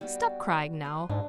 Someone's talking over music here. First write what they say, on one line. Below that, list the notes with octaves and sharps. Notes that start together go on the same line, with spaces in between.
Stop crying, now.
G3 B3 F#4
B4 C6
G#2 D4